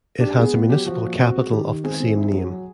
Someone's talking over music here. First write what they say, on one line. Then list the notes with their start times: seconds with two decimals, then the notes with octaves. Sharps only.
It has a municipal capital of the same name.
0.20 D4 G4
0.37 G#3 B3 G#4
0.53 B3
0.69 F#3 G4
0.86 F3 F#4
1.02 A#2
1.19 C4 F#4
1.35 G#3
1.51 D#3 G4
1.68 D#3
1.84 G#3 C4 G#4
2.00 C4
2.16 E4
2.33 F#3
2.50 F#3